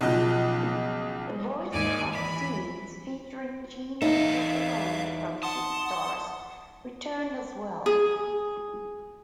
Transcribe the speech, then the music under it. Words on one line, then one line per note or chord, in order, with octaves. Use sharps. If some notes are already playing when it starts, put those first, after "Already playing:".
The voiced cut scenes featuring Gene Okerlund from "Superstars" returned as well.
B1 C#3 F3 D#5 F#6
D#2 G#2 D5 G#5
E3 B5
E2 D#4 A4 E5 F5
F#5 A5 C6 D#6
G#4